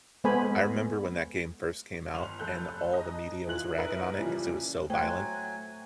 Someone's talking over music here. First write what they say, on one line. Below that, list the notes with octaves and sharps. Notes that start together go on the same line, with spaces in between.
I remember when that game first came out and all the media was ragging on it 'cause it was so violent.
G#3 B3 A4 C5 G#5 B5
G1 F7
F1 A4 F#6 G6
D#5 A5 A#5
E3 F4 F#6 F#7
D#4 A#4 B4 E5
A#2 C#3 E3 F3 G3
F#3 A3 C5 G5 G#5 F#6